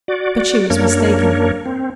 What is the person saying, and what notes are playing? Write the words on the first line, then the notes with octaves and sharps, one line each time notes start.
But she was mistaken.
F#4 D5
F#2 A#3 D4 A#4 C#5
C4